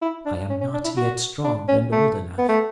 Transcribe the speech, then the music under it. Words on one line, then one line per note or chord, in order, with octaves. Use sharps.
I am not yet strong and old enough.
E4
D4
C#4
C#4
D4
E4
F#4
D4
C#4
A3
B3
A3